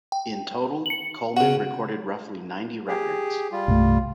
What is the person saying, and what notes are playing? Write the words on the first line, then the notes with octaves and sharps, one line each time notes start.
In total, Coleman recorded roughly ninety records.
G5
C#7 F#7
C#3 F#4 F#5
G4 G#4
G3 F4
C2 G2 A3